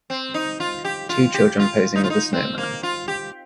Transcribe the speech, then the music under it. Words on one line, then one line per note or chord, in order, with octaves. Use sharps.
Two children posing with a snowman.
C4
D#4
F4
G4
F4
G4
F4
D#4
F4
D#4
C4
A#3
F4
G4